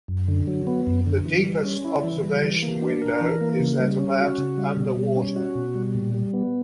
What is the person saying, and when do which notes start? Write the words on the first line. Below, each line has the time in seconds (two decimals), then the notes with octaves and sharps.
The deepest observation window is at about underwater.
0.08 F#2
0.28 D3
0.47 F#3
0.67 B3
0.87 F#2
1.06 D3
1.25 E3
1.45 G3
1.65 C#4
1.84 E4
2.04 E3
2.23 G3
2.43 E3
2.62 A#3
2.82 D4
3.02 A#4
3.21 E3
3.41 A#3
3.60 C#3
3.80 G3
3.99 C#4
4.19 F#4
4.38 C#3
4.58 G3
4.77 B2
4.97 G3
5.17 C#4
5.36 F#4
5.55 B2
5.75 G3
5.95 A#2
6.14 G3
6.33 B3